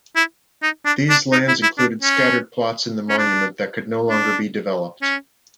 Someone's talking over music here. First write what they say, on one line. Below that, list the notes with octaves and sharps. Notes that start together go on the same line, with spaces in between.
These lands included scattered plots in the Monument that could no longer be developed.
E4
D#4
D4
D4
D#4
E4
E4
D4
C#4
C#4
D4
D4
C#4